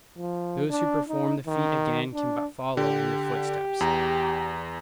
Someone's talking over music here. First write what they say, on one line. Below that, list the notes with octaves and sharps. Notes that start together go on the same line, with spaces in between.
Those who perform the feat again can but follow in your footsteps.
F3
D4
D#4
D#3
D4
D3 G4
E2 A#5